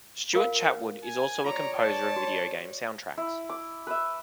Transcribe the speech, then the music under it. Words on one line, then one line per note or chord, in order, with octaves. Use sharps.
Stuart Chatwood is also a composer of video game soundtracks.
F4 A#4 F5
G#5
F4 C#5 D5 A#5
A5
F#4
E4
D6
B4 E5